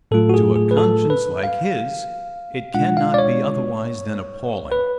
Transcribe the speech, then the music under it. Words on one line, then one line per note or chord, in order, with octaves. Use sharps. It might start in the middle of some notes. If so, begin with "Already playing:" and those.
To a conscience like his, it cannot be otherwise than appalling.
A2 F#3 A3 F4 A4
F#4
G#4
G#4
B4
A4
B4
F5
B2 G#3 D4 F4 F#5
F5
D5
C#5
B4